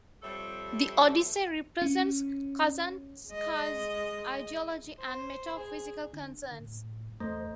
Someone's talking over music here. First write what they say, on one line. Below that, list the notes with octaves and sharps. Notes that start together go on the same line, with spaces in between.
The "Odyssey" represents Kazantzakis' ideology and metaphysical concerns.
F3 G3 C4 A4 C#5 E5
C#4
G#3 D#5
C5
G#4
D3
A2
E2 A3 C5